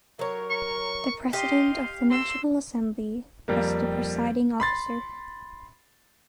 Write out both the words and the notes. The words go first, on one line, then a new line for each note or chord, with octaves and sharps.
The President of the National Assembly was the presiding officer.
F#3 A#4 C#5
C#6
G4 D#5 F5 C6
C4 C6 E6
F2 G3 A#3
B5 C6 A6